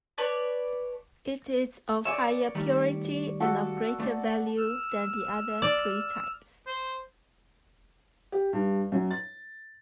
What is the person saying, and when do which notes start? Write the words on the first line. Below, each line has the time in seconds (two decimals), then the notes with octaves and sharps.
It is of higher purity and of greater value than the other three types.
0.18 B4 C#5 D5 A5
2.05 C#5 D5 E5 G#5
2.55 D#3 G3 A3
3.40 F#4 A4 D6
4.00 A3 D5
4.58 E6 F6
5.62 D5
6.67 C5
8.32 G4
8.53 G2
8.92 F#2
9.11 A6